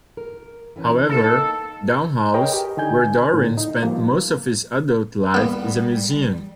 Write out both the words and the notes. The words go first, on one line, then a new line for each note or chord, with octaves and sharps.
However, Down House, where Darwin spent most of his adult life, is a museum.
A#4
E3 B3 C#4
A#3 D#4 A4
G#4 A#4 B4 C#5 D#5 G5
G4
D3 D#4 G#5 G6
A2 D3
D#4
F3 G3 A#3
G3 A#3 B3